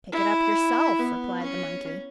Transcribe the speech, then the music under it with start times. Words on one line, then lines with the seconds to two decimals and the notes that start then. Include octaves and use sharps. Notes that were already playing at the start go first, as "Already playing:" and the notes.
"Pick it up yourself," replied the monkey.
0.12 E4
1.00 B3
1.42 C#4